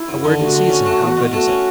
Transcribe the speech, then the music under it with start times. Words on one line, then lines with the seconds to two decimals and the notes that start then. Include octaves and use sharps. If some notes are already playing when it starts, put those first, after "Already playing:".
A word in season, how good is it?
Already playing: E4
0.08 F#2
0.24 D3
0.39 D2 F#4 G4
0.55 D3
0.70 C#4
0.86 A3
1.01 E2
1.17 B2
1.32 A3 F#4
1.48 C#4